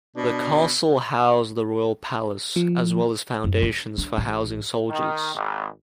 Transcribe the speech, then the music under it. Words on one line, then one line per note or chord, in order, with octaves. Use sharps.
The castle housed the royal palace, as well as foundations for housing soldiers.
B2 D4
F3
F#2
D4
D4
A1
D#3
G#1